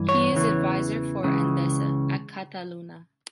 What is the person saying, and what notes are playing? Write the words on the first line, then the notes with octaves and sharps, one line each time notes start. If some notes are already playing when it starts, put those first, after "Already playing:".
He is advisor for Endesa at Cataluña.
Already playing: G2 E3
C#5
E2 C#3 E3
C#2 C#3 E3